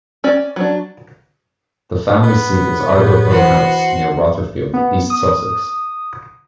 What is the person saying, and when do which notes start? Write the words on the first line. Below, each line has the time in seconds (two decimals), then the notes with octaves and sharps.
The family seat is Argo Hill House, near Rotherfield, East Sussex.
0.24 C#4 D5
0.56 F#3 D4
2.23 B3
2.96 A2 D4 G4 G#4 C#5
3.30 E3 E4 F#4 C5 C6
4.74 B3
5.10 D#6